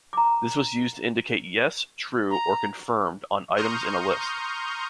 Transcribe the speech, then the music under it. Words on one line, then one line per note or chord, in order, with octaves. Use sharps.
This was used to indicate yes, true, or confirmed on items in a list.
A#5 D6
A#5
A#5 C6 C#6 D#6 F6 G6